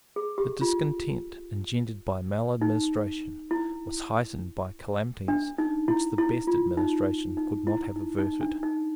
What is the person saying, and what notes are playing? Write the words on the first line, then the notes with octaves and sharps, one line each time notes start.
The discontent engendered by maladministration was heightened by calamities which the best administration could not have averted.
G#4
G4
F4
D#4
E4
D4
D#4
E4
E4
F4
D#4
D#4
E4
D#4
D#4
D4
D#4